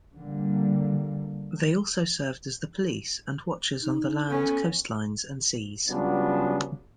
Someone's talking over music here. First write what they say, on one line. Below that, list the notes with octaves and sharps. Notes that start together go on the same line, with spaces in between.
They also served as the police and watchers on the land, coastlines and seas.
D3 G3 A#3
D#4
B3 C#4 A4
C#3 F#3 G3 B3 D4 F4